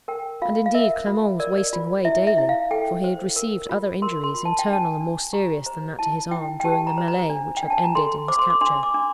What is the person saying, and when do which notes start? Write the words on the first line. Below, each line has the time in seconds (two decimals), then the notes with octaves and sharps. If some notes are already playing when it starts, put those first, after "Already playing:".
And, indeed, Clement was wasting away daily; for he had received other injuries, internal and more serious than that to his arm, during the melee which had ended in his capture.
0.08 A#4 G5
0.42 F4 F5
0.66 F5
0.75 A#4 E5
1.07 F4
1.40 A#4 D5
1.58 D5
1.73 F4
2.05 E4 E5
2.27 E5
2.38 E4
2.49 F5
2.71 A4 G5
3.04 C5
3.36 A#4
3.69 F4
4.02 A#4 C6
4.24 C6
4.34 F4
4.45 A5
4.59 G5
4.68 D4
4.73 A5
5.01 D4
5.33 G4 A#5
5.66 C5 A#5
5.99 E4 A5
6.31 E4 G5
6.60 G5
6.64 G4 A5
6.87 A#5
6.98 C5
7.08 A#5
7.30 D4
7.57 G5
7.63 D4
7.70 A5
7.83 A#5
7.95 A4 C6
8.28 C5 D6
8.39 C6
8.50 D6
8.61 D4 C6
8.83 D6
8.94 D4